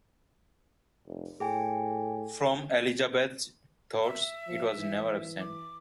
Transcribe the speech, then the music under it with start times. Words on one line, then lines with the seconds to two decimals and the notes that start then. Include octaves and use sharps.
From Elizabeth's thoughts it was never absent.
1.07 F1
1.40 A2 G#4 G5 G#5
4.03 E5
4.47 F3
4.77 E3
5.40 D6